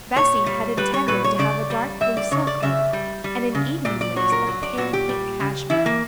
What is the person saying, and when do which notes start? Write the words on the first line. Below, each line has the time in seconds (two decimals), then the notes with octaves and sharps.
Bessy had intended to have a dark-blue silk made up and an evening waist of pale pink cashmere.
0.16 A#2 C#5
0.46 G3
0.77 G3 B4
0.94 C#5
1.08 A#2 B4
1.24 C#5
1.39 C#3 D5
1.70 G3
2.01 G3 E5
2.17 D5
2.31 C#3 C#5
2.47 D5
2.62 C#3 E5
2.93 G3
3.24 G3
3.55 C#3
3.85 A#2 D5
4.01 D5
4.16 F#3 C#5
4.32 A#4
4.47 F#3
4.63 D5
4.77 A#2 F#4
4.93 G4
5.09 G3
5.40 C#3
5.70 E3 E4
5.86 A#3